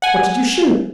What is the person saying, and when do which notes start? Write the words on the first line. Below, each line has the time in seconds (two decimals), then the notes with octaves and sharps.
'What did you shoot?
0.02 F#5 G#5